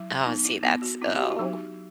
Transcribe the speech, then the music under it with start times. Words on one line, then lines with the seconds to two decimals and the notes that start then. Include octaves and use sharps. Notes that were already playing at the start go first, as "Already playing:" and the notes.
Oh, see, that's Oh.
Already playing: F#3 E4
0.25 B3 D#4
0.45 E4
0.63 B3 E4
0.82 F#4
1.01 C4 E4
1.15 G4
1.23 F#4
1.31 E4
1.39 F#3 D#4